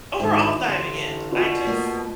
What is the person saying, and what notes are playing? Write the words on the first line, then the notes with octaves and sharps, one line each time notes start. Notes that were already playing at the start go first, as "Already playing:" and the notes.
overall diving in, I just
D2 G#2 D#3 E4
A1 D3 E3 C6
B2 F4 D5 G5
A3 A#3